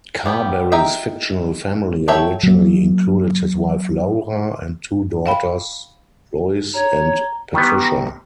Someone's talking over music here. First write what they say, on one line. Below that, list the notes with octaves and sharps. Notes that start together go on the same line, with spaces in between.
Carberry's fictional family originally included his wife Laura, and two daughters, Lois and Patricia.
G3 B3 G5
D#4 E5 G5
F#3 A4 C#5 E5 G5
F#3 A#3
F5 G5 B5
C#5 A#5
D#3 E3 G3 B3